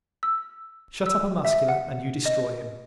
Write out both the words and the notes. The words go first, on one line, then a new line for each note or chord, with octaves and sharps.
Shut up a Muscular and you destroy him.
E6
E6
E5
F#5
D#5